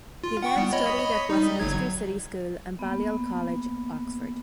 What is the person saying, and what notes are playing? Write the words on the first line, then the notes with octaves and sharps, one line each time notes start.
He then studied at Westminster City School and Balliol College, Oxford.
F4
F#5 G5 C#6
G3 B3
C#5 D#5 B5
G3 D#4
G1 F#3 G#6
A#3 B3